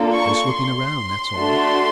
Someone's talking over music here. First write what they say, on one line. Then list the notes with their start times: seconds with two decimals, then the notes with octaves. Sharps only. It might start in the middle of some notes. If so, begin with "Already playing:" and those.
"Just looking around, that's all."
Already playing: A#3 D4 F4 A4
0.12 C#6
0.54 C6
1.37 A3 D4 F#4 A4